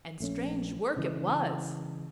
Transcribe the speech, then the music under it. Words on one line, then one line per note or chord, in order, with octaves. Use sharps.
And strange work it was!
A#1 A3 C#4
C#3 E3 G#3